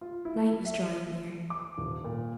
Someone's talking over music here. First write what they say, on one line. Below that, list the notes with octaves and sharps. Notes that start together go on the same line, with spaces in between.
Night was drawing near.
F4
E4
E5
D6
D#1
A#2